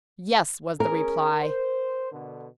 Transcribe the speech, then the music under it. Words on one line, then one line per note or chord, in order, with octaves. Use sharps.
"Yes," was the reply.
C#4 G#4 A#4
C5
B2 D3